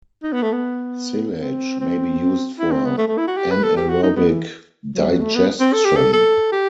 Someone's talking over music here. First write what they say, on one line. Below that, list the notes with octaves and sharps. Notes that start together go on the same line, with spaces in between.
Silage may be used for anaerobic digestion.
D#4
B3
A3
B3
C4
C4
E4
C4
B3
A3
A3
E4
F#4
G4
B4
A4
G4
F#4
D#4
B3
E3
F#3
G3
F#3
A3
B3
C4
A4
G4
A4
A4
G4